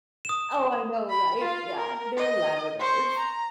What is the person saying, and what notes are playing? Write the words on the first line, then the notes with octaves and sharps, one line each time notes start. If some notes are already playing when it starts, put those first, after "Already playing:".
Oh, I know. Right? Yeah. They were Labradors.
D#6 E7
B5
F4 F5
A#4
D#5
C5 C#6
A#5